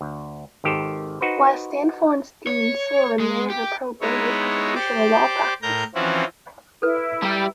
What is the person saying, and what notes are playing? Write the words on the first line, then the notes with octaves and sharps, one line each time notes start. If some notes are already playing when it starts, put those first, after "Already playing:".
While Stanford's Dean, Sullivan maintained a pro bono constitutional law practice.
D2
G#1 D#3 G4 A4 C5
D#4 F#4 B4 C5
C#5
G#3
G4
G#3 B3 D#4 E4 C#5
G4 C5 D5 D6
A2 A#4 A#5 G6
E3 F3 C4 C#4 E4 F#4
E4 A4 B4
G3 G4 E5 A#5